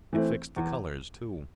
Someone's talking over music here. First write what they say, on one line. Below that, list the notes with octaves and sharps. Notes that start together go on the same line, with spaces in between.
It fixed the colors, too.
E3 A3 C4
E2